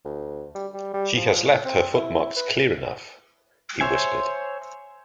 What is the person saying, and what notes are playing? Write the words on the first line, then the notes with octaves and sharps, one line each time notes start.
"She has left her footmarks clear enough," he whispered.
D2
G3
G3
G3
F3
A2
C4
E4
B4
C5 C#5 E5 G#5